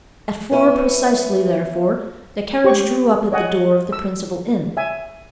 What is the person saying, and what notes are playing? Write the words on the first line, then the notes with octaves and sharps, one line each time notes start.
At four precisely, therefore, the carriage drew up at the door of the principal inn.
B3 C#4 E4
G4 C#5 C#6
C#5 D#5 F#5 G#5
E6
E5 G#5